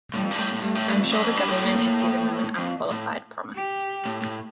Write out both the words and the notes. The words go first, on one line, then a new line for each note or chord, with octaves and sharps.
I'm sure the government had given them an unqualified promise.
A2 G3
F2
G2
A2
A2
G2 A3
A2
G2
F2
G2
F2
G2
A2
A#3
F2
A2
G4
A2
A2